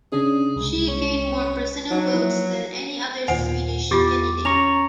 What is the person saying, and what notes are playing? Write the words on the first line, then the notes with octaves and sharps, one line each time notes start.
She gained more personal votes than any other Swedish candidate.
C#3 C#4 D4 G#4
C2 G#3
C#4
F#3 D#4
F3 A#3 E4
D#2 A#2 C5 F#5 G#5
E2 F4 G4 D6 A6
C#4 A#5 C#6 F7